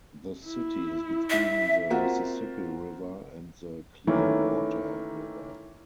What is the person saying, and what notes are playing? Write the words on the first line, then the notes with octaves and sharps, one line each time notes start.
The city is between the Mississippi River and the Clearwater River.
E4
E5
A#3 C4 F4 F#4
D#3 E3 A3 A#3 C#4